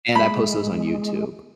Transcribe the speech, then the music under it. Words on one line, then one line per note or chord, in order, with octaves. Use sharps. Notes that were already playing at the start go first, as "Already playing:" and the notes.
and I post those on YouTube,
G#3 B5